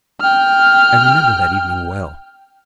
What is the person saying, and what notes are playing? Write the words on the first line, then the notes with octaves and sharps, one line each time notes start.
I remember that evening well.
G5 F6